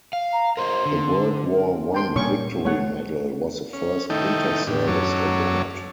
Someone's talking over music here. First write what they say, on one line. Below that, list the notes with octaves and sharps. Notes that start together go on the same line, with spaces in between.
The World War One Victory Medal was the first inter-service award.
F5
A#5
A#4 C5 D#5 C6
D3
A#4
D4 G5 C6
A#2 G3 A#3 C#4 C#6
G#3 A3 C#5 F#5
C#4
D#3 A3 D#4 E4 A4 G5
A2 D3 G4
F#2 F#3 C#4 A4 C#5 D6